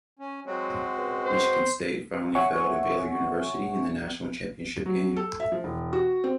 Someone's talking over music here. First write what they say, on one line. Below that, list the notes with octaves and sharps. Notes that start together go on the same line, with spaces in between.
Michigan State finally fell to Baylor University in the National Championship game.
C#4
F#3 G#3 C4 F#4
C#2
C5
C#5 E5 F#5 G#5 C#6
F#3
A4
E5
F3
E1
F#4
C4